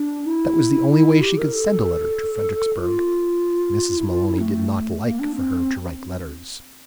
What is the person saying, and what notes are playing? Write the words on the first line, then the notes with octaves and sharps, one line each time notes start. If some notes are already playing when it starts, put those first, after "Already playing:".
That was the only way she could send a letter to Fredericksburg. Mrs. Maloney did not like for her to write letters.
Already playing: D4
E4
E4
G4
A#4
A4
F4
E4
F4
E4
A3
A#3
D4
C4